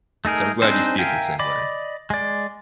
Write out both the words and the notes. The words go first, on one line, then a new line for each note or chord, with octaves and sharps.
so, I'm glad you see it the same way.
A3 D#4 G#4 A#4
C4 D4 D#4 G#4 C5
A#4 E5 F5 G5 G#5
D5 D#5 B5 D6
G#3 D5